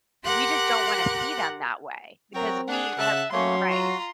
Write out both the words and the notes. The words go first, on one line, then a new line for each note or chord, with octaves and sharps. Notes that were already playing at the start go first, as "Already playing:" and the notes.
we just don't wanna see them that way because we have right.
G4 A#4 F#5 C6 D6 F#6
F#3 C4 F#4 A#4 G5
D4 G#4 F#5
C#3 E5 A5 F#6
F#3 A3 A#3 C#4 C#5 C6
F4 F#4 A#5